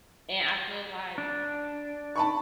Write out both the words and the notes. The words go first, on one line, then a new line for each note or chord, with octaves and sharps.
and I feel like
D4
A5 B5 C#6